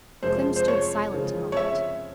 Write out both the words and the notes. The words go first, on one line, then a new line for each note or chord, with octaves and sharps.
Clym stood silent a moment.
F2 C3 F3 G#3 C#4 C5
C5
C#5
C#3 F3 G#3 C4
C#5
E5